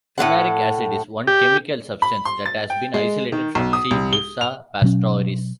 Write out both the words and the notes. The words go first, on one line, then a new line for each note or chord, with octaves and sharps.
Fumaric acid is one chemical substance that has been isolated from "C. bursa-pastoris".
A2 C4 A4 F#5
G4
B5
C6
A6
G5
G#3
D#3
B1
D#6
C2
G7
F7
B2 F#3 C#4